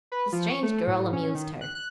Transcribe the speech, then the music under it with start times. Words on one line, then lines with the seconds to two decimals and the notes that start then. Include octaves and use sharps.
The strange girl amused her.
0.12 B4
0.32 F3
0.50 C#6
0.63 A3
0.87 A2
1.13 C#4
1.35 D#3
1.61 F#6
1.75 F#6